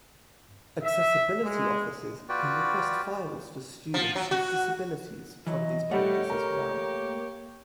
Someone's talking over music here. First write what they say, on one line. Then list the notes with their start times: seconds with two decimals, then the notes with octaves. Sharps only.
Accessibility offices can request files for students with disabilities from these pages as well.
0.83 E5
1.44 G#3
2.29 F4 F#4 B4 D5 G5
3.94 F3
4.16 F#3
4.31 F#4
5.47 E3 F#3 D#5
5.91 G3 A3 G4 C#5 D5 F#5
6.30 A#4 A#5
6.71 A#3